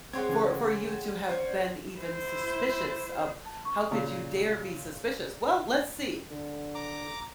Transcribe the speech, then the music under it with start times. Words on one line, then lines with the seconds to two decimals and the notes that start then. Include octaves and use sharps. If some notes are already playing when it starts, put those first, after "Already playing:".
for for you to have been even suspicious of "How could you dare be suspicious?" "Well, let's see,
0.13 G#3 C4 G4 C#5 F#5 C6 G#6
0.29 C#3 E3
1.29 C#4 D4 C5 C#5
2.00 E4 C5
3.45 A5
3.65 C#6
3.91 A#2 C#3 F5
6.31 D3
6.75 A#5 D6